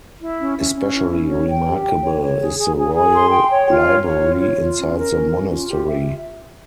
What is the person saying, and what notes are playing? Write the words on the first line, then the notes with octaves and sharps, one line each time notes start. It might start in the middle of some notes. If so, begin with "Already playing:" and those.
Especially remarkable is the Royal Library, inside the Monastery.
E4
C#4
C#4
C#4
E4
C#4
C#5
G5
G4
G5
C#5
C#5
G#4
G#4
G#4
G#4
C6
G5
C#5
F4
C#5
C#5
F4
C#5
F4
C#4
A#4
C#4
C#4
F4
G4
E5